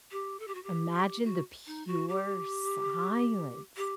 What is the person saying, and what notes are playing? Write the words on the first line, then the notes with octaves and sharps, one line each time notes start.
Imagine the pure silence.
G4
A4
G4
F#4
G4
F#4
D#4
F#4
G4
G4